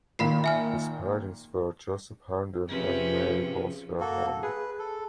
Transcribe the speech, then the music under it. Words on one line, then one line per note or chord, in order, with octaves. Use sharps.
His parents were Joseph Herndon and Mary Boswell Herndon.
A#2 D#3 F5 B5 C7
E5 G#5 F6
C3 F3 C#4 F4 G4 G#4 B4
A#3 F#4 A4
G#4 B4
A4